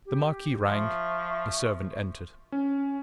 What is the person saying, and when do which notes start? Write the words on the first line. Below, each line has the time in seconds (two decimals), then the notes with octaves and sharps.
The marquis rang, a servant entered.
0.05 G4
0.65 F3 E5 C#6
2.52 C#4